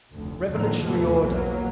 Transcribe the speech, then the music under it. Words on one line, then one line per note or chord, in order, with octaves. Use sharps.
Revolutionary order.
F1 D2
A2 D3 D#3 F3 A#3
D#2 C3 F3 A3 B3
B1 E2 B2 F#3 A#3